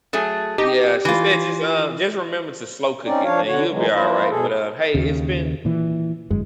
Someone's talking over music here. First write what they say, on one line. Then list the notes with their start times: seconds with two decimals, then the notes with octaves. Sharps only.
Yeah, she said just, uh, just remember to slow cook it and you'll be all right. But, uh, hey, it's been
0.13 F#3 A3 G#4
0.58 D#4 G4
1.05 E3 F4
3.05 C4 C#4 D#4 D5
3.24 F3 D4 C#5 F5
3.46 D3 F#4 C#5
3.70 E3 F#3 G#3
3.94 F3 A#3 E4 C5
4.29 B2 G#4 A4
4.94 D#2 C#3
5.65 A#2 E3
6.30 G1 F#2 G#3